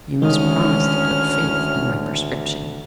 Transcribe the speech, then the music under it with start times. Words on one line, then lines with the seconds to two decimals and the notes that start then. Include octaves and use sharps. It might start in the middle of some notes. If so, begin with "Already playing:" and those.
"You must promise to put faith in my prescription."
0.22 D2 D#3 G#3 C#4 D#6 F6